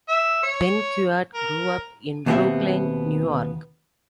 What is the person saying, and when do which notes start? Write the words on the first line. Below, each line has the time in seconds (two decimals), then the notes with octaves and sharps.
Benguiat grew up in Brooklyn, New York.
0.08 E5
0.43 C#5
1.34 A#4
2.26 D#2 B2 B3 C4 G4 E5